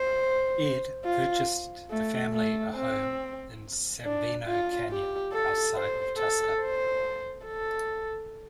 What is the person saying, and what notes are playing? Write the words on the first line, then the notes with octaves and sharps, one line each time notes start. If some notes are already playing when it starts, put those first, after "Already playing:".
Ed purchased the family a home in Sabino Canyon, outside of Tucson.
Already playing: C5
F4
A3
A3
C4
D4
F4
G4
A4
C5
A4
C5
A4